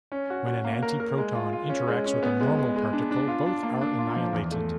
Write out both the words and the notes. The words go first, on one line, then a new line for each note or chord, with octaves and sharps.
When an antiproton interacts with a normal particle, both are annihilated.
C#4
F#4
F#4
A#3
A#4
A#4
G#3
F4
F4
C#4
G#3
C#4
B3
G#3
G#3
G#3
D4
D4
F4
D4
A#3
D4
F4
F3
E2
A3